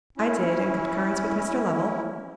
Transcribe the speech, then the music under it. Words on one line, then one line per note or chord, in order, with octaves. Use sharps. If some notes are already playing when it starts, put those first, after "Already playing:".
"I did, in concurrence with Mr. Lovell."
C#4 E4